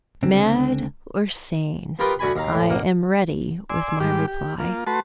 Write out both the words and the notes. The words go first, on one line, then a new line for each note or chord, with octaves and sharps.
Mad or sane, I am ready with my reply.
C#2 D3 C4
B3 F4 G4 A#4 B4
D2 F#4 D5 G#5 B5
D#2 F5 A#5
A2
A1 A#3 F#5
D5 G#5 C6 E6
G#2 G3 G4 D6
G4
A#3 F4
A3 F#4 B4 A5 C6